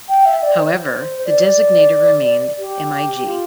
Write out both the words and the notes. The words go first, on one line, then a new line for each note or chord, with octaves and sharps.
However, the designator remained "MiG".
G5
E5
D5
C5
D5
G4
F4